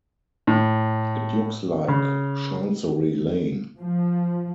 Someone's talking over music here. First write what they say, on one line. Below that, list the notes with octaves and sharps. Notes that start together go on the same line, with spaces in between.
It looks like Chancery Lane.
A2
C#3
F3